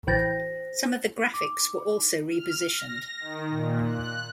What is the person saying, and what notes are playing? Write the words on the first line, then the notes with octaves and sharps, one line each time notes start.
Some of the graphics were also re-positioned.
A1 E3 C5 G5 A6 A#6
D6
F6
A#6
D#3
A#2
F#6